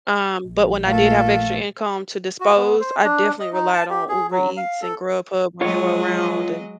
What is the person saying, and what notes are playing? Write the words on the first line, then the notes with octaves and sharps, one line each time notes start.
um, but when I did have extra income to dispose, I definitely relied on Uber Eats and Grubhub when they were around and
A#1
A#2 A3 A4 F5
F#4
B3
C5
D4
D#5
D#4
A5
G4
G#4
F#3
F5
A4
F#3 G#3 F4 C#5 D#5